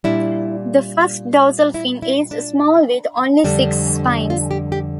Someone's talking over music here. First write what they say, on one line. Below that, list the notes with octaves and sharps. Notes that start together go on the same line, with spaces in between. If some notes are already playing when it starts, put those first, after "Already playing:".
The first dorsal fin is small with only six spines.
A#2 G3 D4 E4
E4
E4
D4
F2 D3 G3 D4
F4
G4
G4